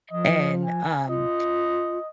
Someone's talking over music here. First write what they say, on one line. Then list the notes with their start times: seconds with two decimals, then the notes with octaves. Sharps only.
and, um,
0.12 F3 D#5
0.65 G#5
1.09 F4 D#5